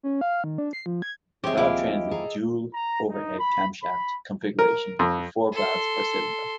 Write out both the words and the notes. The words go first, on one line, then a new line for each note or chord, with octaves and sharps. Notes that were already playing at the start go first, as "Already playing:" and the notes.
The valve train is a dual overhead camshaft configuration with four valves per cylinder.
C#4
F5
D#3
D4
C7
F3
G#6
C3 G4 G#4 C5 C#5 D#5 E5
D#2 F3 G#3 E4 G4 D#5 F5
G#4 A4 A#5
A#5
D#4
B5
B5
A#4
F2
A4 C6